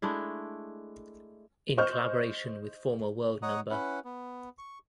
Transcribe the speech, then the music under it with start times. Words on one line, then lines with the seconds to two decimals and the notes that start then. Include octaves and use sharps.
In collaboration with former world no.
0.02 G#3 A3 D4 E4
1.78 C5 D#5 C#6 F6 G6
3.42 C#5 D#5 F#5 A#5 D#6
3.70 C#4 E4 B4 F#5
4.05 B3
4.58 C#6